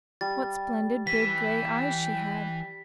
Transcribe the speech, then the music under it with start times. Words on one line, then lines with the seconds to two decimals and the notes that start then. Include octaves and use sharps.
What splendid big grey eyes she had!
0.21 G3 A6
1.07 E3 G5 B6